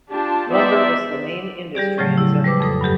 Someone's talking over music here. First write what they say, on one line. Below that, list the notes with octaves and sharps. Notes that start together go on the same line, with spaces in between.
Lumber was the main industry in Zemple.
D4 F4 G4 A5
B3 D#4 C5 D5 E5
G3 G4 G#4 D5
A2 C#3 F3 F#3 A3
E4
G3 B4 C5 D6
F2 A4 D#6
G2 F#3 G4 A4